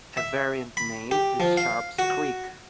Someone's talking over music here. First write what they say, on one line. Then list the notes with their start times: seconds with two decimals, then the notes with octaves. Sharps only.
A variant name is "Sharps Creek".
0.17 E5
0.77 B5
1.11 G4
1.40 F3
1.57 F5
1.99 F#4